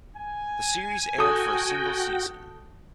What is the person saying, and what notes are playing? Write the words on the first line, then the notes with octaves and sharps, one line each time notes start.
The series aired for a single season.
G#5
F#4 A4 G5 D#6